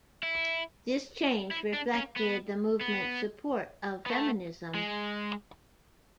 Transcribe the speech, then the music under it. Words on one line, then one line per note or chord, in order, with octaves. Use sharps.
This change reflected the movement's support of feminism.
E4
E4
D4
C#4
B3
B3
B3
A3
G#3